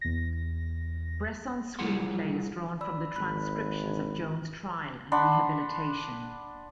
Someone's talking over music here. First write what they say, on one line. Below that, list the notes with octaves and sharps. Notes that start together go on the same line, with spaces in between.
Bresson's screenplay is drawn from the transcriptions of Joan's trial and rehabilitation.
E2 A#6
G3 E4 F4 G#4 F#5 C6
D5 B5 E6
G#1 B5 F#6
D4 F#5 B5 C6